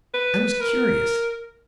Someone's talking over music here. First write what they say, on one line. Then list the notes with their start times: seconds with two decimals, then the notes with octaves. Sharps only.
I was curious.
0.14 B4
0.60 A#4